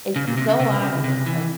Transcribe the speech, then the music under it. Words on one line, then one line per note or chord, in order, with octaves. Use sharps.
it's so obvious, like,
C#3
A#2
C3
C#3
C3
C#3
C3
E3